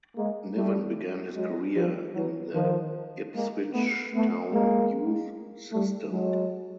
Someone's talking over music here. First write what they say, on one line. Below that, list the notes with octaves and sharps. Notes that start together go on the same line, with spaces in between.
Niven began his career in the Ipswich Town youth system.
G#3 A#3
G3 A3
F#3 G#3
F3 G3
E3 F#3
D#3 F3
G#3 A#3
A3 B3
A3 B3
G#3 A#3
G3 A3
F#3 G#3